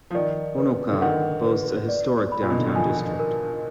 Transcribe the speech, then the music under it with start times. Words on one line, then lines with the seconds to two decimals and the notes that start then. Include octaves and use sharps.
Honokaa boasts a historic downtown district.
0.11 F3
0.15 D#3 D5
0.58 B4
0.92 D3
1.01 D#3 F#5
1.45 B4
1.88 D5
2.32 B5
2.43 A#2
2.50 B2
2.59 D3
2.67 D#3
2.75 F3 G#5
3.19 A#4